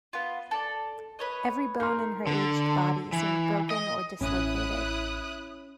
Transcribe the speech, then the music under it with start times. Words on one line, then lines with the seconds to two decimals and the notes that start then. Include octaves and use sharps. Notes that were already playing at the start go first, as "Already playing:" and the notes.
Every bone in her aged body seemed broken or dislocated.
0.13 B3 F4
0.51 A4 D5
1.19 B4 C#5 D#5
1.80 D#4 A#4 C6
2.27 D3
3.13 E3
3.70 D#5
4.21 A1 C#4 E4 D#6 F#6